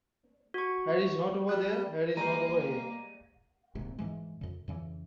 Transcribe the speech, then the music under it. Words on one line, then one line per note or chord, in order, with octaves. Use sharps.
Harry's not over there, Harry's not over here.
F#4 C#6
G3 F#6
G3 G#3 A#3 C5 A#5 D#7
D1 A#1 G#2 C3
G#2 E3 G#3
F2 C#3
F2 C#3 E3